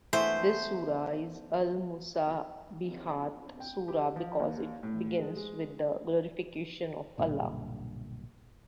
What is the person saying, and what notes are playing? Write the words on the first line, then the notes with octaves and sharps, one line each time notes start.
This sura is a Al-Musabbihat sura because it begins with the glorification of Allah.
E3 A3 B3 C5
G5
G4
F3
D#2
A2
G#3
G#3
B1 G2 A#2 D3